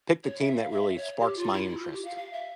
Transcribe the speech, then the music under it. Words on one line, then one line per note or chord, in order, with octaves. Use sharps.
pick the team that really sparks my interest."
C#5
E5
F5
E5
C#5
G4
F4
E4
E4
F4
G4
F5
F5
E5